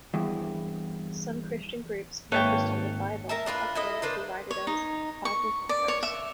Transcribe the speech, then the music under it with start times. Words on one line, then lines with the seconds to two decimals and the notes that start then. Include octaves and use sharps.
Some Christian groups focused on the Bible have been derided as "Bible thumpers".
0.14 E2 G2 E3
2.32 G#1 A#3 A4 B4 C#5 E5 G5
3.29 A#4 E5 A5
3.46 D4 F4 G#4 B4
3.75 E4 A4 D#5
4.02 A#3 D4 B4 C5
4.51 C#5
4.67 D#4
5.25 C#6
5.69 D5
5.88 C#5
6.03 E5